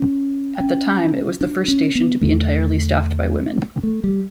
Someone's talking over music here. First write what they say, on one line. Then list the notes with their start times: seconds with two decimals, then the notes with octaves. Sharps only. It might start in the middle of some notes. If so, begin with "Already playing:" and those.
At the time, it was the first station to be entirely staffed by women.
Already playing: C#4
0.60 C#4
1.41 D4
1.68 C#4
1.95 B3
2.21 E2 D3 A3
3.83 A3
4.04 G3